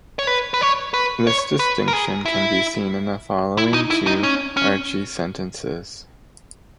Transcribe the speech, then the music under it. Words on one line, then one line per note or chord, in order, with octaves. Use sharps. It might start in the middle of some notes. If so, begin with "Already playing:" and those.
This distinction can be seen in the following two Archi sentences.
C#5
B4
B4
C#5
B4
C#5
B4
A#4
G#4
E4
E4
D#4
E4
D#4
C#4
C#4